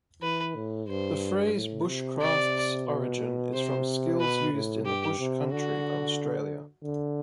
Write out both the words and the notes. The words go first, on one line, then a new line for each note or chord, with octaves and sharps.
The phrase bushcraft's origin is from skills used in the bush country of Australia.
E3 B4
A2
G2 C5
A2
C3
C3 D5
B2
C3 C5
B2 B4
A2
G2 G4
C3
D3 F#4
D3